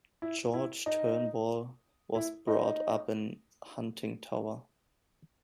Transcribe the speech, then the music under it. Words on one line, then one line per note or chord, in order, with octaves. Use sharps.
George Turnbull was brought up in Huntingtower.
E4
E4
D#4
E4
D#4